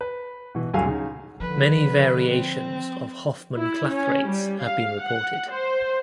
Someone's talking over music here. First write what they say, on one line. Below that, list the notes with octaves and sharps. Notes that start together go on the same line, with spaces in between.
Many variations of Hofmann clathrates have been reported.
B4
B2 E3
D2 G2 F#3 A3 F5 G#5
C#3 D#4
D3 F3 B4
C4
E4
C#4
G3
F5
F#5
C5